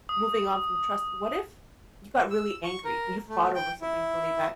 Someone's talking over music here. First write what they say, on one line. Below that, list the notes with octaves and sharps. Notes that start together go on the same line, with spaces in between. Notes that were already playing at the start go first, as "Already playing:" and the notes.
moving on from trust, what if you got really angry? You fought over something really bad.
D#6
E6
C#6
A#4
A3
G5
E4